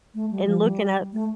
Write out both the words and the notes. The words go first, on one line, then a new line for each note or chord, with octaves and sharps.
and looking at
A3
G3
F3
G3
A3